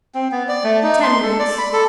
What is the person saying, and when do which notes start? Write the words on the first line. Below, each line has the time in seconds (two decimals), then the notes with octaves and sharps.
Ten minutes.
0.15 C4
0.32 B3
0.49 D5
0.64 A3
0.83 D#4
1.03 C6
1.23 A4
1.39 D5
1.58 B5
1.73 A4